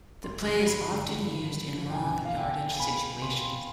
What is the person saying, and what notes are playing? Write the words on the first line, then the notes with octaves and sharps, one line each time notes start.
The play is often used in long yardage situations.
G2 C6
D3 F3
G2 B5
D3 F3
G2
D3 F3
G2
D3 F3
G5
B2 G#5
F5
B2 G5
G#5
B2 B5
B2 C6